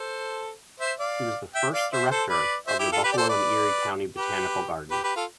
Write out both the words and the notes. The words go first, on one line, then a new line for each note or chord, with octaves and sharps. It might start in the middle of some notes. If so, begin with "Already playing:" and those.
He was the first director of the Buffalo and Erie County Botanical Gardens.
Already playing: A4 C5
C5 E5
D5 F5
E5 G5
D5 F5
C5 E5
A4 C5
B4 D5
C5 E5
E4 G4
F4 A4
G4 B4
D5
A4 C5
B4 D5
G4 B4
G4 B4
G4 B4
F4 A4